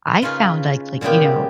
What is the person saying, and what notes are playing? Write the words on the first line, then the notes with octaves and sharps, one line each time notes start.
I found, like like, you know,
C#3 C#4 D#4 F4 B4
A#2 C#3 G#3 B3 G4